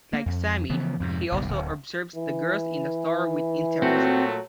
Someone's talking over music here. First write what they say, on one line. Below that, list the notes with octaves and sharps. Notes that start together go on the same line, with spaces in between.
Like Sammy, he also observes the girls in the store with interest.
A#3
F2
C#3 E3 F3 B3
F2 G#2 C3
F#1 B1 G2
D1
E3
A#2 F#3 A3 C4 F#4